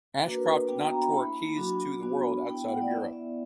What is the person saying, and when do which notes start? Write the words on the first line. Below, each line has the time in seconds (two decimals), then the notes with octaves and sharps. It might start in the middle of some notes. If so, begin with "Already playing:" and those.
Ashcroft did not tour "Keys to the World" outside of Europe.
0.23 A#3 D4 F#4 B4
0.35 A#4
0.46 B4
0.67 B3 D4 F#4 G5
0.79 E5
0.91 A#5
1.02 B5
1.12 A#3 E4 B5
1.34 B5
1.57 F#3 A#3 D4 F#4
2.02 B3 D4 F#4
2.47 B3 E4 G5
2.69 F#5
2.82 D5
2.90 B3 E4 E5
3.13 E5